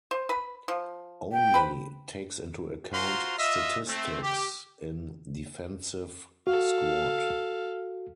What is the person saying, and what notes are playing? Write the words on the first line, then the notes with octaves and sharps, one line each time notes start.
Only takes into account statistics in defensive squad.
C5
B4 B5
F3
G5
B4 C5 B5
F4 F#4 C5 A#5 C6
F4 D#5 E5
A3 C4
G4
F#4 A4 F5